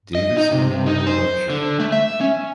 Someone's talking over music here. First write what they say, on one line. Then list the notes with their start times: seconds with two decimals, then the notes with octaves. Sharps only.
Davis Memorial Lecture.
0.15 D#5
0.37 D#4
0.52 C3
0.72 C3
0.86 D#4
1.07 C5
1.50 D3
1.80 A3
1.92 E5
2.21 C#4